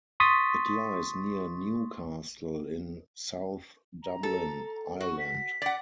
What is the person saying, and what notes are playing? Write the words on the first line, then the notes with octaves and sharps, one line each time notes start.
It lies near Newcastle, in South Dublin, Ireland.
C6 C#6 D#6 A6 B6
A#5
A4
F#4 C#6
B6
D5 F#5